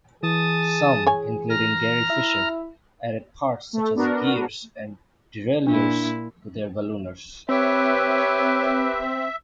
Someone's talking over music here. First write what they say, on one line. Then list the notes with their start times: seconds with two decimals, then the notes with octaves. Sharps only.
Some, including Gary Fisher, added parts such as gears and derailleurs to their ballooners.
0.23 E3 G#4 A5 D#6
1.06 C#5 G#5
1.49 A#5 F6
2.10 E4 E5
3.73 A3
3.95 B3 D4 F#4 A#4
5.67 A#2 D4 E4
7.49 C4 G4 B4 C#5 E5